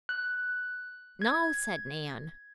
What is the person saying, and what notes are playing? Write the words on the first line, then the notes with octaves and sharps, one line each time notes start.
"No," said Nan.
F#6
G#6